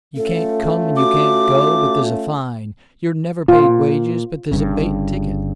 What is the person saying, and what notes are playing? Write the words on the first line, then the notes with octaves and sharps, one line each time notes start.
You can't come, and you can't go, but there's a fine; you're never paid wages, but there's a bate ticket.
A3 C#4 F4 A4
F#4 D6
A#2 F4
G1 G2 C#3